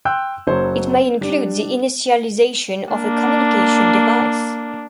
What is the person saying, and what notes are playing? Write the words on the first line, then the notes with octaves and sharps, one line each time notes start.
It may include the initialization of a communication device.
G5 C6 E6 F#6 G6
F#1 F#3 C5 C#5
G3 D4
A#3 D4